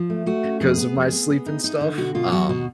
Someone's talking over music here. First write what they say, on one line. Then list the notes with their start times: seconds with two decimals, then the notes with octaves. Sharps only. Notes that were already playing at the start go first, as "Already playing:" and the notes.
'cause of my sleep and stuff, um
Already playing: F3
0.10 A3
0.26 A3 F#4
0.44 C#4
0.61 F2 G#4
0.78 B3
0.95 F2
1.13 B3
1.30 B3
1.46 D#4
1.64 D#4
1.81 D3
1.98 B2 F#4
2.15 B2 F4
2.32 F#3 F#4
2.49 B2 F#4